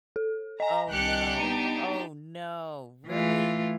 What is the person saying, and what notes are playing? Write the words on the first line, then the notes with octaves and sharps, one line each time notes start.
Oh, no. Oh, no, really?
A4
D#5 G#5 A#5
C2 D4 G4 F#6 C#7
B3 D#4 D#7
E3 A3 F4